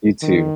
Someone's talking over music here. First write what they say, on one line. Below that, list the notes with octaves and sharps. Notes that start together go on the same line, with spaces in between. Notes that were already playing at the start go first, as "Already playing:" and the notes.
You, too.
D#3